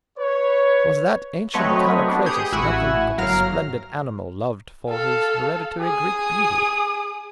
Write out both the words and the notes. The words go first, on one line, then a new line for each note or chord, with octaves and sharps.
Was that ancient Kallikrates nothing but a splendid animal loved for his hereditary Greek beauty?
B4 C#5
F#3 A3 C4 B4 C#5 D#5
B3 D4
G4 G#4 D#6 G6 C#7
A1 E4 F#4 F#5 G#5 E6
G1 F#3 A#4 F5 F6 A#6
A4 F5
G#4 D#6